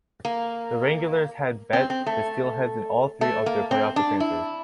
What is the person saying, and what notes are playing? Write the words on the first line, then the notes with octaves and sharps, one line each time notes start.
The Wranglers had met the Steelheads in all three of their playoff appearances.
A#3
C4
C4
A3
A3
A#3
C4
D4
E4